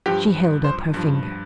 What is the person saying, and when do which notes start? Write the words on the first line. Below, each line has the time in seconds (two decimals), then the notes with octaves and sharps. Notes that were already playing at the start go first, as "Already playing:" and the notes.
She held up her finger.
0.06 G2 F3 G4
0.64 C5
0.94 G2 F3